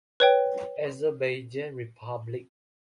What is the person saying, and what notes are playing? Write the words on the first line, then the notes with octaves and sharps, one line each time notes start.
Azerbaijan Republic.
B4 C#5 G5